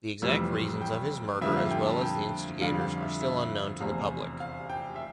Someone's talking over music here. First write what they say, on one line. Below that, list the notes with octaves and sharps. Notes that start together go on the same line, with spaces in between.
The exact reasons of his murder as well as the instigators are still unknown to the public.
F1 F2 E3 G3 E6
G5
F2 D3 G3 A#3 E5
F5
G5
A5
G5
F2 D3 G3 D4 F4 F5
F5
E5
E5
F1 E2 C3 F5
F5
G5
E5